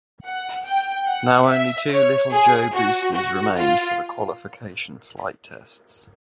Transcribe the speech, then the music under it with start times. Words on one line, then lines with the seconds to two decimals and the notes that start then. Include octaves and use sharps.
Now only two Little Joe boosters remained for the qualification flight tests.
0.25 F#5
0.65 G5
1.08 F#5
1.49 E5
1.90 C#5
2.32 G#4
2.73 F#4
3.14 F#4
3.56 F4